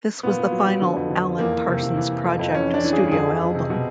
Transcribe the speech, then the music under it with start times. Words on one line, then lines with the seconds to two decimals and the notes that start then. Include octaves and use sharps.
This was the final Alan Parsons Project studio album.
0.23 A#2 B3
0.39 A#2
0.52 F#3
0.67 F#3
0.81 D3
0.96 F2
1.10 D3
1.25 F2
1.39 E2 A#3
1.54 E2
1.67 C3
1.83 C3
1.96 E3
2.12 E3
2.25 F2
2.39 F2
2.54 E3 C#4
2.69 E3 D4
2.83 E3
2.93 G2 G#4
3.12 F2 G#4
3.26 F2
3.41 F2
3.55 C3
3.70 B2